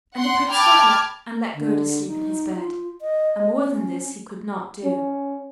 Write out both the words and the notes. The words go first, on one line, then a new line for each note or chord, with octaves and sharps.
And the Prince got up and let Gerda sleep in his bed, and more than this he could not do.
F#5 C6
G5 A5 B5 D6 F6 G#6
D3
D#4
F4
D#5
C#4
C#4